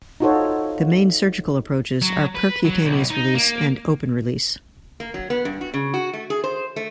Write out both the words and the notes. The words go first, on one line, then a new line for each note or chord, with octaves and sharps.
The main surgical approaches are percutaneous release and open release.
D#4 F4 F#4 A4 C5 C#5
F#3
B4
F#3
B1
D#4
A#3
A#3
F#3
B3
G2
F#4
C#3
F#4
A3
G#4
C5
A3